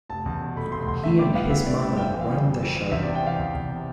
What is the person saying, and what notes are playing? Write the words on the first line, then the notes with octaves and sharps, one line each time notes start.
He and his mother ran the show.
F1 A5
E2
B2
A3 B5
F1 C6
E2 C6
A2 E5
G3 D6
B3 F5
E4 E5
A2 D5
G3 E5
F2 G5
E3
F5
G3
F2
F2
E3
E2 E5
C3 D5
G5
E3 F5
E2
E2
C3